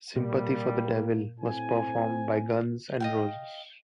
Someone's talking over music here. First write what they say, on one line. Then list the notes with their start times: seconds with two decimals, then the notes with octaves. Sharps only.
"Sympathy for the Devil" was performed by Guns N' Roses.
0.16 A#2 G3 A#3
1.39 A2 C4 G#5
3.00 D#5 F5 G5